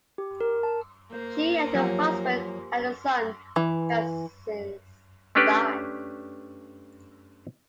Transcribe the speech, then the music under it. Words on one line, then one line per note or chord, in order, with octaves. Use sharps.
She and her husband had a son, who has since died.
G4
A#4
A5
A#3 C5
F3 F#3 G4 F#5 G#5
E3
A3 C#4 D4 G4 B4 D5